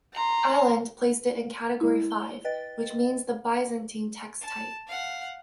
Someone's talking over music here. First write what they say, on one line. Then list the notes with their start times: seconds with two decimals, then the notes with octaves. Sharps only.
Aland placed it in Category Five, which means the Byzantine text-type.
0.13 A#5 C6
1.81 G#3 E4
2.10 G7
2.44 B4 D#5 G5 A6
4.41 A5
4.87 F5 F#5